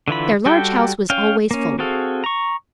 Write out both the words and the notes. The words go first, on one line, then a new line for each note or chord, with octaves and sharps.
Their large house was always full.
D3 E3 F4 B5
G3 F#4 G4 A4 G5
C#4 F5 G5
A#3 C#4
C4 F#4 G#4 A4 F5
A#5 C#6